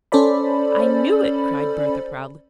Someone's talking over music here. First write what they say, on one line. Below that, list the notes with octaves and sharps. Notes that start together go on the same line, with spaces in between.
"I knew it!" cried Bertha, proudly.
C#4 A4 C5 D5 B5